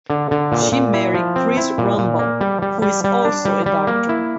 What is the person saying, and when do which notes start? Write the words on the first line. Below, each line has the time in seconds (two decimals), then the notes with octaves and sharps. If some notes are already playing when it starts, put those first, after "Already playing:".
She married Chris Rumball, who is also a doctor.
0.10 D3
0.31 D3
0.52 A#2
0.72 A#2
0.94 E4
1.14 F3
1.36 C4
1.57 E4
1.78 A#2
1.98 A#2
2.19 A#3
2.41 G3
2.62 G3
2.82 G3
3.04 G3
3.25 D4
3.45 G3
3.66 G3
3.87 A#3
4.09 E4